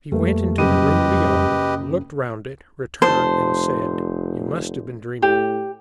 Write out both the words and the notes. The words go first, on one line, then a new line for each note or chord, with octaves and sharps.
He went into the room beyond, looked round it, returned, and said: "You must have been dreaming."
F2 G3 A3 A#3 B4
F#1 F#3 G4 B4 D#5 D#7
F1 C5 A5
A2 G4